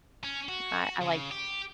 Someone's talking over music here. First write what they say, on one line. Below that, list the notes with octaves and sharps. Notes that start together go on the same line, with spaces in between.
I I like
C#4
F#4
C#3
G4